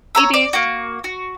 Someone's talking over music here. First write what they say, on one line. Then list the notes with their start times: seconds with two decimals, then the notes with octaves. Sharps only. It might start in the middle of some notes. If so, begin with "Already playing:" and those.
it is,
0.15 C#5 A#5 E6
0.34 D5
0.53 A#3 F#4
1.04 F#4